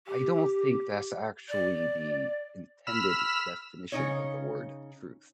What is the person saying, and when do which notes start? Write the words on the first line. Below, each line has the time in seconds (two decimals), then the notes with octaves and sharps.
I don't think that's actually the intended definition of the word "truth."
0.07 G4
1.49 D5
2.87 B5 E6 F6
3.92 C#3 D#4 C#5